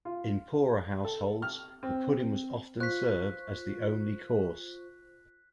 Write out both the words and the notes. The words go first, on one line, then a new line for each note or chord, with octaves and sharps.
In poorer households, the pudding was often served as the only course.
F4
A4
F6
C4
F4 C5 C#6 F#6 B6